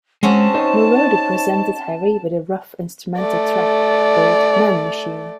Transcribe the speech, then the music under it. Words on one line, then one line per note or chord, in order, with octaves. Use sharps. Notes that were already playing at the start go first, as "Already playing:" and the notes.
Moroder presented Harry with a rough instrumental track called "Man Machine".
G#3 C4 C#4 F#4 A5
D#4 C5 C#5
A3 D5